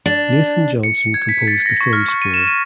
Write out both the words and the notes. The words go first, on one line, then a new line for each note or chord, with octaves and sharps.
Nathan Johnson composed the film score.
D4
C#7
C#7
G#6
B6
A6
A#6
C#6
F6
C#6
D#7
E7
D#7